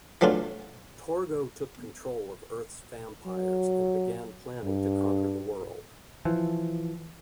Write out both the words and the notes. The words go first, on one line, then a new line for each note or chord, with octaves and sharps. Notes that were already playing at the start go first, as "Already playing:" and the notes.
Torgo took control of Earth's vampires, and began planning to conquer the world.
E3 F#3 A3 D4 F4
F#3
G2
E3 F3